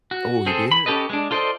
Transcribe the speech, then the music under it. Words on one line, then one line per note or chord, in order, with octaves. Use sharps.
Oh, he did?
F#4
C4 G#4 A4
B5
C#4 G4 A4 B4 D#5
G#3 D4
F4 A4 C5 D5 D#5